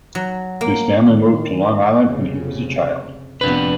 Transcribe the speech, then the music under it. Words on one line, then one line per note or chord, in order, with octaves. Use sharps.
His family moved to Long Island when he was a child.
F#3
A#3
D#3
F1 C#3
F1 F2 B3 D4 B4